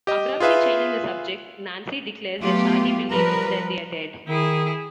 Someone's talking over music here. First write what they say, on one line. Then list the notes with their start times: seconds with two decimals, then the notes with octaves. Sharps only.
Abruptly changing the subject, Nancy declares that Charlie believes that they are dead.
0.07 G4 D#5
0.40 F4 G#4 B4 E5 F5
2.39 F#3 A3 B3 F4 G4
3.10 F3 G3 A#4 B4
4.28 D#3 E4 G#4